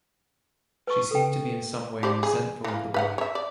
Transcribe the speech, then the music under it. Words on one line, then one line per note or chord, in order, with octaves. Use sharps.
She seemed to be in some way resentful of the boy.
B4 C#6
A4 G5
G4 C5 D5
G#4
E3 A#3
B4 F5 F#5
C#5 E5
D5